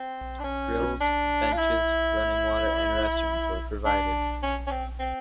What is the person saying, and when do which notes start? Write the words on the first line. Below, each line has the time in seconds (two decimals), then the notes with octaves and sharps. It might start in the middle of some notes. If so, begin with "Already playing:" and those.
Grills, benches, running water and restrooms were provided.
Already playing: C4
0.39 D4
0.44 C#4
1.01 D4
1.52 F4
1.58 E4
3.85 D4
4.43 C#4
4.67 C#4
4.71 C4
4.99 C4